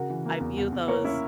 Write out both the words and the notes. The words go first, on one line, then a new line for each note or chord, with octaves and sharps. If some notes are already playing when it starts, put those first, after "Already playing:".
I view those,
Already playing: C#3 F#4 A#4
E3
A#3
E2
E2
E2
A#3 A#4 C#5
A#3 C#4 E4